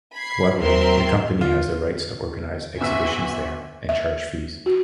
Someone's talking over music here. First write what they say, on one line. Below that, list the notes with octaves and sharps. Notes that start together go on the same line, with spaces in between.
However, the company has the right to organise exhibitions there, and charge fees.
B5 G#6 C7
D#2 F#3 C4 A#4 E5 C6
D3 F4
G1 F#4 E5 G#5 E6 B6
E5
F#4